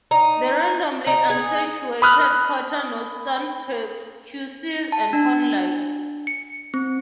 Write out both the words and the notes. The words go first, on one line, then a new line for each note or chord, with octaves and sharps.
The randomly accentuated quarter notes sound percussive and horn-like.
D#4
D#4
G#4
B5 D#6 F6 F#6
A5
D4
C#7
C4